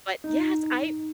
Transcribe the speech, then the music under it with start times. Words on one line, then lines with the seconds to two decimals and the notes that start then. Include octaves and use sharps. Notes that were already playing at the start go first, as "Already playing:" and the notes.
But yes, I
0.24 D#4